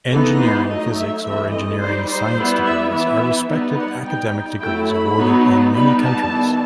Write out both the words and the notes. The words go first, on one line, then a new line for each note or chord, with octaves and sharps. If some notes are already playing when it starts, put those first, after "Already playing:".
Engineering physics or engineering science degrees are respected academic degrees awarded in many countries.
E3 B3 D#4 A4
C5
F#3 A3 D#4 D#5
E5
E3 A3 C4 E5
D#5
G3 D#4 C5
C5
G3 B3 E4
E5
E3 B3 E4 E5
G3 B3 D#4
F#5
G3 D#4 G5
F#3 A3 E4 G5
B5
F#3 B3 D#4
G3 B3 D#4 B5
A5
D#3 G3 B3 E4